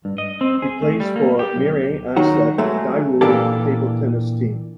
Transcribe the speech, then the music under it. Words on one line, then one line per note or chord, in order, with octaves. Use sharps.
He plays for Mirae Asset Daewoo table tennis team.
G2
D#5
C4
G#4
A3
G3
A#3
G4
B1
D#3 F#3 D#4 F#4
F#3 G#3 A3
A#2 E3 A#3 D4 G4 A4